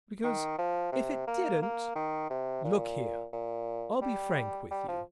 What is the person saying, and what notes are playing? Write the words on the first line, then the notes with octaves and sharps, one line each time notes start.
Because if it didn't---- Look here, I'll be frank with you.
D#3
F3
C3
A#3
A#3
D#3
C3
A#2
A#2
G3
G3
F3